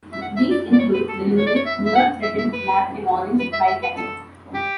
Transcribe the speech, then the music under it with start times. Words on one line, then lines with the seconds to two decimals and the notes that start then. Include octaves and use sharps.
These include the unique near threatened black-and-orange flycatcher.
0.12 E5
0.22 F#5
0.36 E5
0.51 D5
0.73 D5
0.79 C#5
0.94 B4
1.09 A4
1.37 C#5
1.47 D5
1.55 C#5
1.66 E5
1.86 E5
1.95 F#5
2.23 E5
2.38 E5
2.53 B4
3.40 B4
3.53 E5
3.67 E5
3.83 B4
3.97 A4
4.54 G4